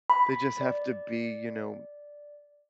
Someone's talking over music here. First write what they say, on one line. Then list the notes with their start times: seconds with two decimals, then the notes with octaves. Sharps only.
they just have to be, you know,
0.10 B5
0.61 D5